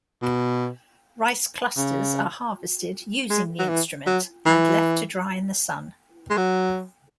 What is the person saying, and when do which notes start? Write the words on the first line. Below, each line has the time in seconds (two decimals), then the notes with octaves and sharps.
Rice clusters are harvested using the instrument and left to dry in the sun.
0.22 B2
1.77 C#3
3.30 G#3
3.59 F#3
3.69 E3
4.07 F#3
4.46 E3
6.30 G#3
6.37 F#3